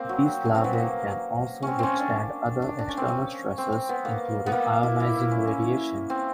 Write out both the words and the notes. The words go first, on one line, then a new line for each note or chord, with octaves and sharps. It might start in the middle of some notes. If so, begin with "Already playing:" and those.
These larvae can also withstand other external stresses including ionizing radiation.
Already playing: A#3 C4
F#3
C#4
C4
B3
A#3
C4 C#4
C4 C#4
D4
D4
D4
C#4
C4
C#4
C4
C4
B3
A#3
B3
A#3
E4
E4
E4
C#4
C#4
C4